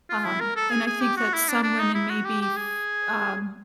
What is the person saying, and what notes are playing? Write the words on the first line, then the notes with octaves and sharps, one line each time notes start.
Um, and I think that some women maybe f um,
F4
E4
A#4
A4
G#4
G#4
G4
F#4
E4
D4
D4
D#4
E4
F#4
G4
G4
G#4